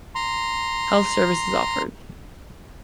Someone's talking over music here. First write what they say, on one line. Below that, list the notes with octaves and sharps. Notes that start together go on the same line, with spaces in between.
Health service is offered.
A#5 C6